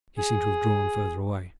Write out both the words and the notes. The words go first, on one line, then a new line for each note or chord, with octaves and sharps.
He seemed to have drawn further away.
G#4